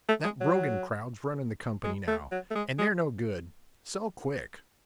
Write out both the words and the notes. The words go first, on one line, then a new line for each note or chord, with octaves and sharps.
That Brogan crowd's runnin' the company now, and they're no good, sell quick.'
A3
G#3
F#3
G#3
A3
F#3
A3
G#3
G#3